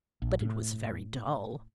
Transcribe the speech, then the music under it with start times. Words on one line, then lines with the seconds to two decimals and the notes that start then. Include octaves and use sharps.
But it was very dull.
0.22 A#1
0.41 A2